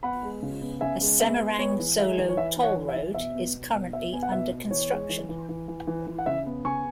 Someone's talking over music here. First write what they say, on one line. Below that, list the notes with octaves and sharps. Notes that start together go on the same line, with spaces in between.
A Semarang-Solo Toll Road is currently under construction.
B3 F#5 B5
G#3
C#3
B3
C#3 E5 G#5
G#3
B3 E5
G#3
B3 C#5
E3
G#3 E5
E3
C#5
E3 E5
E3
C#5 F#5
E3
E5
E3
B2 E5
B3
B2
B2
B2 E5
B3 G#5
F#5
B2 E5
B3
E3 C#5
G#3
E3
E3
E3
E3
E3
E3
F#5
C#3 E5
B3
C#3 G#5 C#6